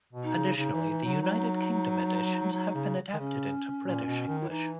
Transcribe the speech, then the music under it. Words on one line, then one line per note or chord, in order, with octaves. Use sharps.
Additionally, the United Kingdom editions have been adapted into British English.
B2
D#4
C#3
C#3 D#4
E3
E3
F#3
F#3
F#3
C#3
D#3
C#3 C#4
A#2
B2
D#3
E4
E3 D#4